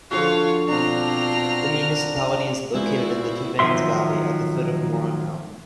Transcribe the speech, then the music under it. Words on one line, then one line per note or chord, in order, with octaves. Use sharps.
The municipality is located in the Tavannes valley, at the foot of Moron mountain.
D3 F3 F4 F#4 A4 C5 C#5 F5
B2 C4 D4 F4 A#5 F6
A#2 G#3 B3 E4 F#4 C5
D#3 F3 F#3 E5 C6